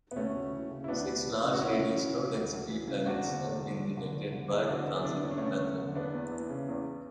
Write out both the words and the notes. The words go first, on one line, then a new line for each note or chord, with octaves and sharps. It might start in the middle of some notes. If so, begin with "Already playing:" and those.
Six large-radius low-density planets have been detected by the transit method.
B3
D2 A3 C#4
D2
E3
C#3
E4
D2 B3 D4
D2
E3
C#3
F#4
D2 C#4 E4
D2
E3
C#3
D2
D2
E3
C#3
E2 D4 F#4
D3
E2
D3
E2
D3
E2
D3
E2 E4 G#4
D3 D4 F#4
E2 B3 D4
E4
D3 B3 D4
E2 C#4
D4
D3 A3 C#4
E2
D3
E2 B3 D4
E2
E3
C#3
E2